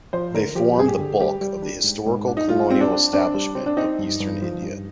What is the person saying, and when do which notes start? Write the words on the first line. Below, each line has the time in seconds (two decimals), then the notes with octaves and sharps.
They form the bulk of the historical colonial establishment of eastern India.
0.13 F3 C5
0.35 D3 A#4
0.55 F3 G4
0.77 G2 G#4
0.88 G4
0.99 D3
1.20 G3 G4
1.41 G3
1.62 D4
1.84 G#2
2.06 G#2
2.28 D4
2.37 D#4
2.48 G3 F4
2.70 G3 C4
2.81 D4
2.92 C4
3.13 C4 D4
3.34 G3
3.55 C4
3.66 D4
3.77 C4 D#4
3.99 G2
4.20 G2
4.42 F3
4.62 G2